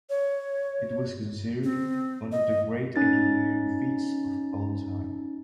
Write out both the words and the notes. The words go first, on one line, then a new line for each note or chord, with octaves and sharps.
It was considered one of the great engineering feats of all time.
C#5
C4
D#5
C#4 D#4 A6